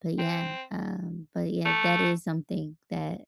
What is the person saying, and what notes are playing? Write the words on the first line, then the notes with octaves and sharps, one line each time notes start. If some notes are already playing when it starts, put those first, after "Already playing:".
but, yeah, um, but yeah, that is something that
C4
A3